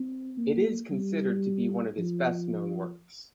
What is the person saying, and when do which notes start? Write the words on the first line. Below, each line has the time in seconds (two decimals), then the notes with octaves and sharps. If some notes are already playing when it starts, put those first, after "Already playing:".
It is considered to be one of his best known works.
Already playing: C4
0.38 A#3
0.92 G3
1.99 F3